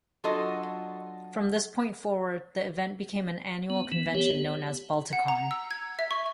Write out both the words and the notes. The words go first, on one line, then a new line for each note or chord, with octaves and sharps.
From this point forward, the event became an annual convention known as Balticon.
F#3 D4 F4 F#4 A4 D#5
B3
E3 B3
B3 G4 C#5
F#5
A#5
E6
G#6
E5
C#6